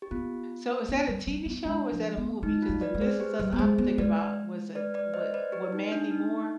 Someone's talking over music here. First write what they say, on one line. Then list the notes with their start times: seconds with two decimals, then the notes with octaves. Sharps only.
So, is that a TV show or is that a movie? 'Cause the "This Is Us" I'm thinking about was a wa wa Mandy Moore
0.02 G4
0.11 B3 F4
0.89 B3
1.07 G3
1.27 G3
1.46 B3
1.65 G#3 D4
1.92 F3
2.17 B3
2.43 G#3 D#4
2.62 F4
2.69 G3
2.81 B4 D5
2.94 G#3
3.01 G#4 C5
3.20 G4 B4
3.39 G3
3.52 B3
3.59 G#3 G#4 C5
3.78 B3
3.98 G#3 B4 D5
4.75 B4 D5
4.94 B4 D5
5.14 C5 D#5
5.34 B4 D5
5.52 G4 B4
5.72 D#4
5.91 D4
6.11 D#4